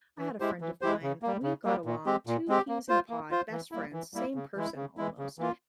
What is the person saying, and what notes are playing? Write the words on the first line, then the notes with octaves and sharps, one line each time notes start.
I had a friend of mine, we got along, two peas in a pod, best friends, same person almost.
E3
G#3 E4 G4 C5
E3
G#3 E4 G4 C5
C#3
G3 A#3
C#3
G3 A#3
A#2
G#3 C4 G4
A#2
G#3 C4 G4
A#3
F4 C5
A#3
F4 C5
E3
G3 A#3 E4
E3
G3 A#3 E4
C#3
E3 G#3 E4
C#3
E3 G#3 E4
C#3
E3 A#3 F4